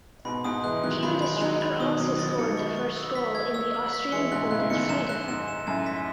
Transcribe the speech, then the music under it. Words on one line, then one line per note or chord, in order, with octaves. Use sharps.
Here the striker also scored the first goal in the Austrian Bundesliga.
G#2 B2 B5
G#2 B2 D#6
E3 G#3 F#6
D#3 F#3 F#6
D#3 F#3 B5
B5
G#3
D#3 F#3 F#6
B5
B2 D#3 D#6
D#3 F#3 D#6
D#3 F#3 A6
D#3 F#3 C#7
C#6
C#6
E6
B6
G#6
E6
F#7
B6
E3 G#3 C#7
G#2 B2 F#6
A2 C#3 F#6
B2 D#3 C#7
F#2 E7
F#6
G#2 E7
E7
F#2 A2 G#5
B6